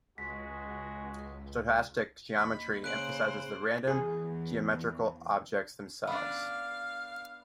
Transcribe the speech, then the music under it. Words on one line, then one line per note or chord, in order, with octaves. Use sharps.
Stochastic geometry emphasises the random geometrical objects themselves.
C#2 G#3 F#4 B6
D#2 B5
C#3 A#3 C5 F#6 D7 F#7
E2 G#4
B3 D4 F5